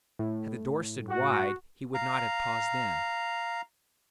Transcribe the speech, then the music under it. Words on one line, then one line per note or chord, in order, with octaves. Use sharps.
Had the door stood wide he would not have paused then.
A2
F#4
F5 A#5